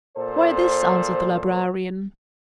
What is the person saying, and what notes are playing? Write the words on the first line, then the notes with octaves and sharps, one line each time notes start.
"Why this," answered the librarian.
A#2 A4 C5